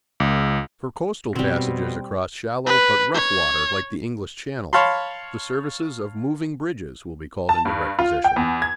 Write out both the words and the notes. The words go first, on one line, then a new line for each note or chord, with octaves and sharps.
For coastal passages across shallow but rough water like the English Channel, the services of moving bridges will be called into requisition.
C#2
B2 G3 C4
B4
C#5
C#5 F5 A5 B5 C6
A5
G2
F4
G5
E2
G#6